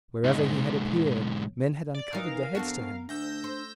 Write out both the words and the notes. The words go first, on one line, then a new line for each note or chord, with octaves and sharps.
Wherever he had appeared, men had uncovered their heads to him.
B1 G#2
D5
E3 D#4 A#4 F5
F2 B3 D4 F#4
D2 D4 E6 G6 A#6
C5